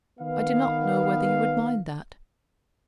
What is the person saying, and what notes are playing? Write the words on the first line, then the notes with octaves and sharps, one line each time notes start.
I do not know whether you would mind that.
D#3 B3 F5